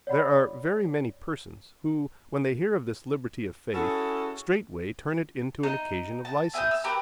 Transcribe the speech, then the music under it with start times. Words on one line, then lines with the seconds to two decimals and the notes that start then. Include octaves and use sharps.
There are very many persons who, when they hear of this liberty of faith, straightway turn it into an occasion of licence.
0.07 C#5 D5 F#5 B5
3.74 C#4 E4 F#4 G#4 A4
5.63 D#4
6.25 A5
6.53 E4 G#5 D#6 G6
6.71 E6
6.84 G4 A#4 B4 A#5